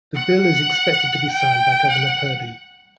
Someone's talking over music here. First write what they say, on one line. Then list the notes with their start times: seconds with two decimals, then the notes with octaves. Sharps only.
The bill is expected to be signed by Governor Perdue.
0.15 F#5
1.32 G5
1.90 F#5